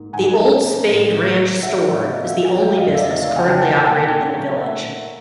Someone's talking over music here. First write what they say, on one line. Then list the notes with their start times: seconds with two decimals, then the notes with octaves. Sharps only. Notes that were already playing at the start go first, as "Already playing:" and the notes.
The Old Spade Ranch Store is the only business currently operating in the village.
Already playing: G#2 A#3
0.13 G#2 F#5 G#5
0.38 F3
0.63 A#3
0.88 A2
1.12 A2
1.38 F3
1.62 G#3 E5 F#5
1.87 A2 D5 E5
2.11 B3 D#5 F5
2.28 E5 F#5
2.37 E3
2.45 F#5 G#5
2.62 F#3 F5 G5
2.78 D#5 F5
2.86 F2
2.94 D5 E5
3.11 A3 D#5 F5
3.24 D5 E5
3.36 C#3 F#5 G#5
3.48 G5 A5
3.61 A#3 F#5 G#5
3.73 G5 A5
3.85 A#2 F#5 G#5
3.98 G5 A5
4.11 A#2
4.35 F#3
4.60 A3 E5 F#5
4.85 A#2